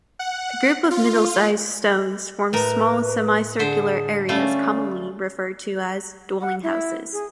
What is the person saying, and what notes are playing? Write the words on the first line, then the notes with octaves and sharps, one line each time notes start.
A group of middle-sized stones form small, semi-circular areas commonly referred to as "dwelling-houses".
F#5
F4
A2 A#4 B4
D3 G#4 C5
G3 A3 C#4 F4
F#5
E4
G#4